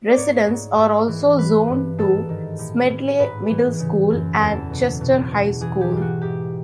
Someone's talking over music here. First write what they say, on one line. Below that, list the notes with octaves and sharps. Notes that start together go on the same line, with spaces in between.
Residents are also zoned to Smedley Middle School and Chester High School.
D5
G#2 C#5
G#2
G#2
E3
E3 B4
G2
G#2 A4
D#3
A2
A2
G#2 B4
E3
C#3
F#2
E2 A4
B2
B2
B2
E3 G#4
G4
G#2
F4
F#4
G#2 G4